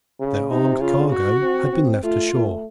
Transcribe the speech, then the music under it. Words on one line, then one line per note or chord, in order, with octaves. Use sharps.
Their armed cargo had been left ashore.
C#3
C3 D#4
C#3 F4
F#4
C4
C4
A3 F4
A3